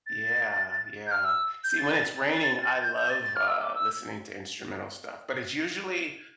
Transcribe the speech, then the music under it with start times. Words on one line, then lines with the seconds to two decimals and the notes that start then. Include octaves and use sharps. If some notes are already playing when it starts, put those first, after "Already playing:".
Yeah, yeah. See, when it's raining, I love, uh, listening to instrumental stuff. But it's usually
0.06 A6
1.06 G6
1.11 F6
1.24 E6
1.63 G6
1.77 A6
1.90 A6
2.82 G6
2.95 G6
3.09 A6
3.22 A6
3.35 F6
3.47 E6
3.61 D6
3.74 E6